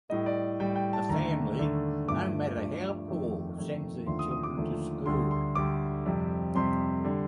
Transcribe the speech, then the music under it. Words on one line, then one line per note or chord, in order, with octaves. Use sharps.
A family no matter how poor, sends their children to school.
A2 G3 D#5
D5
A2 G3 G5
G5
A5
D#2 D3 A3 A#5
D#2 D3 A3
G2 F3 A3 D6
G2 F3 A3
F2 D#3 A3
F2 D#3 A3
D#2 D3 F3 A3 C6
D#6
D#6
D6
D#2 D3 F3 A3
D2 D3 G3 C6
C6
D2 D3 G3 D6
F2 C3 G3
F2 C3 G3 C6
D3 G3